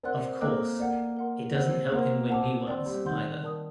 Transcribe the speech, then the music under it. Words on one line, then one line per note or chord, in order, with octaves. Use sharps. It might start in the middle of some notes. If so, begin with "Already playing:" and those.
Of course, it doesn't help him win new ones, either.
C4 A#4 D5 F#5 C6 F#6
A#3 A4 D#5 G5 D6 F#6
A#3 D5 F#5 A#5
A#4 F#5 C6
C4 G4 C5 D#5 F#5
A#3 C5 F#5 C6
C4 F#5 A5 D6
C4 D5 G5 C6
G3
D#3 F#5 C6 G6
A#4 D5 A5 D#6